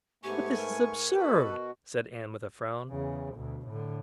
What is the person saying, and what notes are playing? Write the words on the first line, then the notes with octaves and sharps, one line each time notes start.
"But this is absurd!" said Ann with a frown.
G#2 A3 B3 G4 G#5 C#6
A#4
B2 F#4 A4 B4 B5
E2 C#3
D2 B2
A2 D3